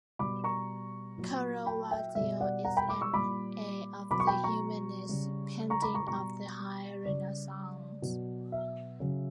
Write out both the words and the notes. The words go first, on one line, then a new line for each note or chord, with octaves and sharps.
Caravaggio is an heir of the humanist painting of the High Renaissance.
B2 G3 B5 D6
A#5 C#6
A#2 F#3
G5 B5
E5 G5
B2 G3 E5
D5 F#5
F#5 A#5
G5 B5
B5 D6
C#6 E6
A#2 G3 B5 D6
B2 F#3 B5 D6
C#6
G5 B5
A#5 C#6
C#3 G3
A#5 C#6
B5 D6
A#5 C#6
B2 G3 A#5 C#6
C#3 G3 D5
B2 F#3
E5
C#3 F#3